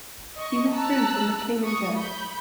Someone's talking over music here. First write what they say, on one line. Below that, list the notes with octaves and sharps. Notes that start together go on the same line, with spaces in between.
He withdrew from the clean and jerk.
D#5 C#6
A5 A#5 E6 F#6
C#6 D#6
B5 G6